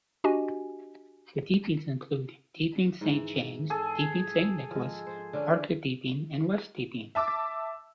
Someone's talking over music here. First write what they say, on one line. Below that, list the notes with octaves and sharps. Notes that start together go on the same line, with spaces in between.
The Deepings include: Deeping Saint James, Deeping Saint Nicholas, Market Deeping and West Deeping.
D4 F#4 G4 D#5 G#5
G#2 E3
G#4 A4
F3 G#3
C5
D3 C#4 D4
E5 A5 D6 E6